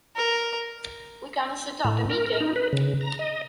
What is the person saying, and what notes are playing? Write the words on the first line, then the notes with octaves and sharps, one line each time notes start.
We can set up a meeting?
A#4
A2
A#4
A#4
D#4
B4
C#3
A#5
D#5